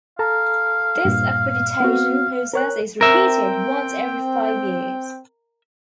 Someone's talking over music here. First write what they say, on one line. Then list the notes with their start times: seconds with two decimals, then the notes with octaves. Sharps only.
This accreditation process is repeated once every five years.
0.19 A4 F5 A5 A#5
1.05 G2 A#2
1.80 B3 C4 F#4
2.53 A#4 C#5 F#6
3.01 C4 A#4 E5 G5